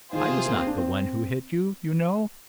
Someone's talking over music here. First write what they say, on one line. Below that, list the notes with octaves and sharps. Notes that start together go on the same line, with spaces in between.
I was not the one who hit you, you know.
D#3 F4 G#4 C5
C3
A#3
C4
D4
C4